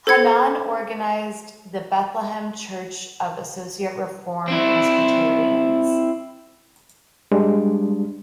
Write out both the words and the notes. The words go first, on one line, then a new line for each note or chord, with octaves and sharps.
Hannan organized the Bethlehem Church of Associate Reform Presbyterians.
A4 C5 G#6 C#7
C4 E4
G3 G#3 D4